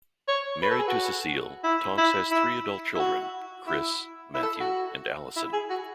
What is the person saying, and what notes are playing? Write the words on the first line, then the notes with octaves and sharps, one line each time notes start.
Married to Cecile, Tonks has three adult children, Chris, Matthew, and Alison.
C#5
B4
A4
G#4
F#4
E4
E4
E4
E4
F#4
E4
E4
A4
F#4
E4
G#4
F#4